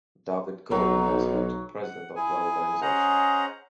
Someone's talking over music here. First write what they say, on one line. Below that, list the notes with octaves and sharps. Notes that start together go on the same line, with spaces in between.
David Gordon was elected president of the organisation.
B1 F#3 D#4
F#5
E4 G#4 G#5
C#4 G#4 C5 D#5 F#5 A#5